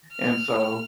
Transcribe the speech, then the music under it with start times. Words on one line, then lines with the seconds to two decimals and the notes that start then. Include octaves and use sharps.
and so
0.12 F6